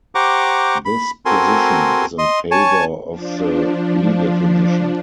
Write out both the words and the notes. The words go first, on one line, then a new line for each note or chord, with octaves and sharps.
This position is in favor of the redefinition.
G4 C5 F#5 A#5 C#6 D6
B5
C4 F#4 A4 A#4 G#5 C6
D#5 C6
C#5 G#5 A5 C#6
F3 D4